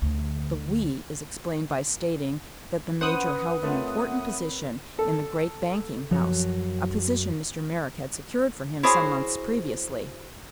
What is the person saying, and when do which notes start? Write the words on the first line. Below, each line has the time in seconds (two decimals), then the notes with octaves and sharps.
The "we" is explained by stating that the Major held an important position in the great banking house--a position Mr. Merrick had secured for him some months previously.
0.02 D2 D3
3.01 C#4 B4 C5 F#5 D#6
3.63 A3 C4 F4 A#4 C#5
4.99 A4
6.11 F#2 F3 F#4 C#5
8.83 E4 F#4 G#4 C5 C#5 G#5